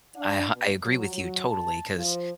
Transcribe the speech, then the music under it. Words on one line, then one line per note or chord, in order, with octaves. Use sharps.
I h I agree with you totally 'cause,
D4
B2
F#3
F#3
A5
F3